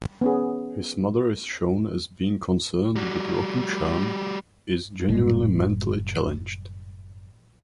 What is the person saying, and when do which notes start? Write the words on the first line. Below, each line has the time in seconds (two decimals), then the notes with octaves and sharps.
His mother is shown as being concerned that Roku-chan is genuinely mentally-challenged.
0.21 B3 C#4 G#4
2.96 G3 F#4
5.08 F#1 A2 G3 G#3